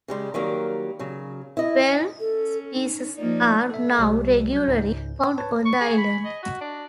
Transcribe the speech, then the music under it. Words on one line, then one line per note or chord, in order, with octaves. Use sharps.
Twelve species are now regularly found on the island.
C#3 G3 G#3
D#3 F#3 G3 A#3
C#3 F#3
E4 D#5
C#4 A4
D#4
F3 A#3 D#4 D5
A4 E5
C2 G3
F#3 G6
C#2 G#2
B4 C#5 A5
C#6
G#4
B5
D#5
F#4
D4